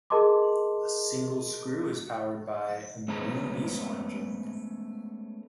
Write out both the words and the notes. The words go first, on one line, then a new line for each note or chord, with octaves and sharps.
A single screw is powered by a marine diesel engine.
G#4 A#4 D#5 A5 C6 D6
G#3 A3 B3 C#4 C5 A#5